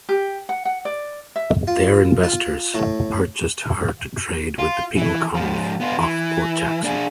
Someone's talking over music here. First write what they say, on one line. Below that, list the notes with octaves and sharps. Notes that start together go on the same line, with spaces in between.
There investors purchased her to trade with the penal colony of Port Jackson.
G4
F#5
F#5
D5
E5
F4
F4
A2
F4
E3
G#2 F3
B3 F4
E3
D4 G#4